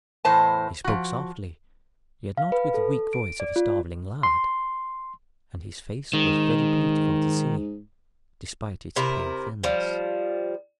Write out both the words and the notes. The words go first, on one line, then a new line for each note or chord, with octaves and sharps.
He spoke softly, yet not with the weak voice of a starving lad; and his face was very beautiful to see, despite its pale thinness.
E2 A2 C5 A5
F3 F#4
F5
B4
A4
D7
D5
F4
C6
G#2 D#3
C3 E4 A#4
F3 G3